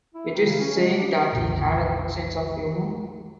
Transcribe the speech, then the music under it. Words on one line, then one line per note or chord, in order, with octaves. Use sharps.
It is said that he had a good sense of humour.
E4
D#3
C#3
C#4
G#3
D4
F1 B1 A#2 D3